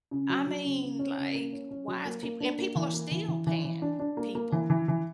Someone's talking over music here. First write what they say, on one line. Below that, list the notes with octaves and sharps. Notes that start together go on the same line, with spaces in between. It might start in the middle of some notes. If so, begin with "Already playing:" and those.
I mean, like, why is people and people are still paying people.
C#3
F#3
F#3
C#3
C#3
C#4
C#3
A#3
C#4
C#4
F#3
A#3
A#3
D4
A#3
E3
A#3
E3
E3
E3
E3
D4
D4
A#3
A#3
E3
E3
E3